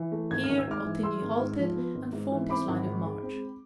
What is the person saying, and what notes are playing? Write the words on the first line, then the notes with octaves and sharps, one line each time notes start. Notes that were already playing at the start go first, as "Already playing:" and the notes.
Here Ottigny halted and formed his line of march.
Already playing: E3
A3
G#1 G#6
F6
G#1
E6
G#2 D6 F6
E3
G#3 C6 E6
G#1
G#2
F3
B3
G#1
G#2
E3
C4 B5 D6
G#1
G#2
G#3
C4